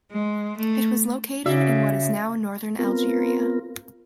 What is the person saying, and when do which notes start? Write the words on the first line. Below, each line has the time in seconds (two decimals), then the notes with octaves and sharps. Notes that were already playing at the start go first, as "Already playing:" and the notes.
It was located in what is now northern Algeria.
0.11 G#3
0.56 A3
1.46 C#3 F#4 D5 E5
2.79 B3 C4 F4 A#4